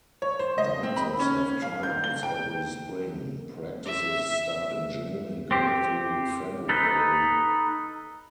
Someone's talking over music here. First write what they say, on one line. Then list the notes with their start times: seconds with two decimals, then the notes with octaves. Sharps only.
Dancers have tryouts every spring; practices start in June and go through February.
0.22 C#5
0.39 C5
0.58 D#5
0.83 C4
0.96 B5
1.20 C#4
1.62 F5
1.83 G6
2.04 G7
2.23 G5
3.85 E5
5.51 C4 G4
6.69 D#4 A4 B4